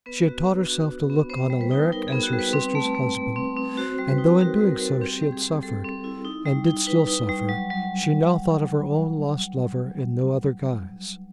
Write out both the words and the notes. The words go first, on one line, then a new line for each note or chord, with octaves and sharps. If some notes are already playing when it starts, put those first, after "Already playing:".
She had taught herself to look on Alaric as her sister's husband, and though in doing so she had suffered, and did still suffer, she now thought of her own lost lover in no other guise.
B3 B4
F#4
D4
F#4
F#4
B3
B3 C5
G3
B4
D#4
D#4 A#4
G#4
B3
F#4
G3
B4
C4
A3
A3
A3
C4
C4
F#4 C5
G3
B4
D#4
F#4 A#4
B4
G3
A#4
G3
A4
C4 G4
G3
G#4
G3
G3 A4
C4
E4
D#4
G3
D#4
D#4 B4
D#4
G3
F#3
F#3